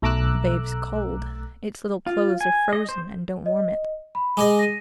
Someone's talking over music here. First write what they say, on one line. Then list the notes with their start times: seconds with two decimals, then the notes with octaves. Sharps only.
"The babe's cold, its little clothes are frozen and don't warm it."
0.02 B1 A3 A#5 D6 E6 F#6
2.07 F4
2.41 G#5
2.73 D#5
2.89 C5
3.46 D#5
4.15 B5
4.37 G#3 G#4 D#5 G#5 D6
4.59 A#6 D#7